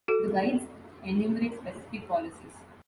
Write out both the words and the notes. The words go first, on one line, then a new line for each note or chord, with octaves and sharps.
The guides enumerate specific policies.
F#4 A4